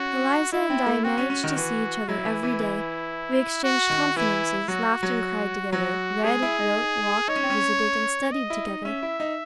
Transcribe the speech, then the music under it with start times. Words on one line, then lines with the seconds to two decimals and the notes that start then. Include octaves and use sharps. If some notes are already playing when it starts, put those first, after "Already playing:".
Eliza and I managed to see each other every day; we exchanged confidences, laughed and cried together, read, wrote, walked, visited, and studied together.
Already playing: C#4 F#4
0.52 D#4 E4
0.70 C4
0.86 A3
1.04 C4 F#4
1.18 C#4
1.30 C#4
1.44 D#3
1.57 E3
2.08 F#3 E4
2.25 E3
2.43 E3
2.60 E3
3.64 F#4
3.90 D#3
4.16 E3 E4
4.68 F#3 F#4
5.03 F#3
5.72 F#3 F#4
6.24 G#3 G#4
6.42 E4
6.59 D#4
7.28 D#4 C#5
7.36 C#4
7.43 C4
7.50 C#4
8.32 D#5
8.50 E4
8.67 D#4
8.84 C#4 E5
9.03 E4
9.20 D#4